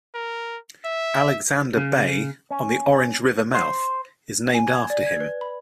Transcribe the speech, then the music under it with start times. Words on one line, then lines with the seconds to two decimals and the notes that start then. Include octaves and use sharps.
Alexander Bay on the Orange River mouth, is named after him.
0.15 A#4
0.85 E5
1.76 C#3
2.51 C#4
3.54 C5
4.54 G#5
4.67 G#6
4.90 D5
5.07 G#6
5.20 B4
5.41 B5